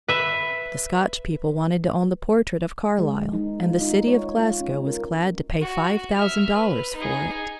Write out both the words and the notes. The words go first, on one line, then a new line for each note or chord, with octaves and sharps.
The Scotch people wanted to own the portrait of Carlyle, and the city of Glasgow was glad to pay five thousand dollars for it.
B4 E5
G#3
D#4
F4
D#4
C#5
F4
C#4
A#4
F#4
E5 F6
B4
D#4 G#4